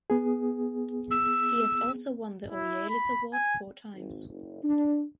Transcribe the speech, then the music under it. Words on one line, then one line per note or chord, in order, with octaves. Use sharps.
He has also won the Aurealis award four times.
B3 G#4
E6
E4
B5
G#5
G#1
F#1
D4